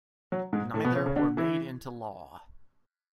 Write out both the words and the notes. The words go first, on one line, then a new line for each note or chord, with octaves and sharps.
Neither were made into law.
F#3
G#2 G#3
A2 A3
B2 B3
C#3 C#4
C#3 C#4
D3 D4
E3 E4